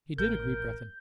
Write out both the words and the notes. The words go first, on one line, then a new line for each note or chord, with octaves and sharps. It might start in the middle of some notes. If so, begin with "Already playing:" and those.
"He did," agreed Breton.
A1 A#4 G6